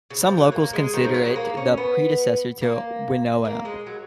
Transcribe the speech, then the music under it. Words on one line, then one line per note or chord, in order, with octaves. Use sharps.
Some locals consider it the predecessor to Winona.
C#3
F3
F#3
A#3
G#3
D#3
F3
F#3
G#3
A#3
C#4
B3
A#3
A#3
G#3
F#3